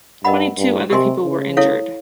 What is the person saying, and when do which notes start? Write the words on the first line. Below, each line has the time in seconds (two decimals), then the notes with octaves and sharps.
Twenty-two other people were injured.
0.24 G2 A#4 D#5 F#5 B5
0.58 G2
0.90 C3 G4 A#4 D#5 G#5 C6
1.24 C#3
1.57 E4 A4 C#5 F5